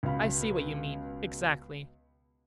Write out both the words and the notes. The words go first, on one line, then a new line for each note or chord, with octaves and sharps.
I see what you mean, exactly.
C#2 B2 F5 B5